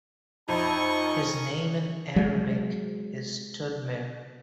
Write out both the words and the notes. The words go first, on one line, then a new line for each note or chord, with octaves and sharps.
His name in Arabic is Tudmir.
F2 D#4 E4 D#5 A5 C#6
C#4 A#4
F#3 G#3